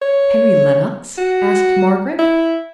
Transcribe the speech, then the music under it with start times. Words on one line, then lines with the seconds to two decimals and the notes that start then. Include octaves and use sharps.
Henry Lennox?' asked Margaret.
0.02 C#5
1.18 F#4
2.19 E4